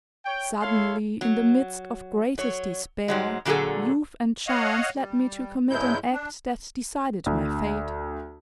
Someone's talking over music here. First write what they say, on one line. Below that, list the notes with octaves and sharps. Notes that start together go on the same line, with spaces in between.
SUDDENLY, in the midst of greatest despair youth and chance led me to commit an act that decided my fate.
C#5 G5
E4 A4 C#5 F5 C6
F#3
F#3 C#5
G#2 F#3 G#3
A#2 D3 F#3 F#4 G#4 A4
C#5 D#5 F5 F#5
G3
G2 C#3 F#3 G#3 E4 G6
D4
D2